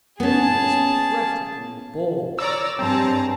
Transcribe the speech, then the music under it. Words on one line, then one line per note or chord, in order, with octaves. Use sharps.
He was practically bald.
B3 C#4 G#4 A5
C#5 D5 A#5 E6
G2 C4 G#4 A5 A#5